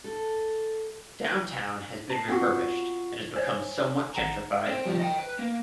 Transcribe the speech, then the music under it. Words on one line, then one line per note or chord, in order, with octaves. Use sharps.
Downtown has been refurbished and has become somewhat gentrified.
A4
A5 C7
B3 C4 F4 F#4 F#5 C#6
C5 C#5 G#5
G#1 F#5 A#5 E7
C4
F3 G3
D#5 G5
B4
A#3